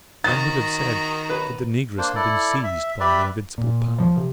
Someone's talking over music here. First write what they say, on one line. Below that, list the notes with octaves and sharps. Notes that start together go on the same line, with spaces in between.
One would have said that the negress had been seized by an invincible power.
D#3 F#4 A#5 A6
B4
A#3 D4 C5
E4 A4 D5
E5
G4 B4 D5 E5
A#2
F3
C3